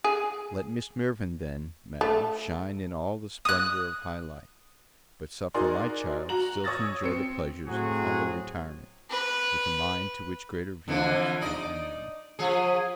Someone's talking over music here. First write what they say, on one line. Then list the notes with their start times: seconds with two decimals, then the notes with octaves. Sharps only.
Let Miss Mirvan, then, Madam, shine in all the splendour of high life; but suffer my child still to enjoy the pleasures of humble retirement, with a mind to which greater views are unknown.
0.04 G#4
2.01 A3
3.45 D#6 F#6
5.54 D#4 F#4 G#4 A#4 D5 C6
6.29 F#4 A#5 F#7
6.64 C#5 D#6 E6 A6 A#6
7.04 C4 C#7
7.66 A2 F#3 C4 F#4 G#4
9.10 B4
10.88 F2 D3 E3
11.41 D#4 D5 D#5
12.39 F3 G#4